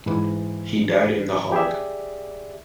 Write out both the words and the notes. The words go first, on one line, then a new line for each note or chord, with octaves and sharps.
He died in The Hague.
G#2 E3
G4 G#4 D5 E5